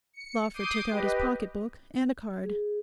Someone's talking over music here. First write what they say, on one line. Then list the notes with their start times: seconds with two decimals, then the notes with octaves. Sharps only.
Lawford took out his pocket-book and a card.
0.13 C#7
0.53 D6 D#6 G6 C7 D#7
0.91 G4 B4 D#5
2.44 G#4